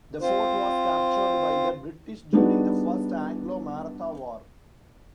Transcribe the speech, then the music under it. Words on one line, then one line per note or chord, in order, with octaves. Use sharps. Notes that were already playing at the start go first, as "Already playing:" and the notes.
The fort was captured by the British during the First Anglo-Maratha War.
C4 F4 C5
G3 B3 D4 D#4 F#4 G#4